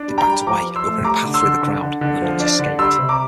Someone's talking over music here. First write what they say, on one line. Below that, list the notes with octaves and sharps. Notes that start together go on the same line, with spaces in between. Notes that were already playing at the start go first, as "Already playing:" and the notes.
They backed away, opening a path through the crowd, and the nuns escaped.
Already playing: D4
G3
G5 A#5
G3
F3 A#5 D6
F3
C6 E6
A3
G3 A#5 D6
D3
C6 E6
D3
D3
D3
D3
F3
D4
D3
G3 C6 E6
C3
A#5 D6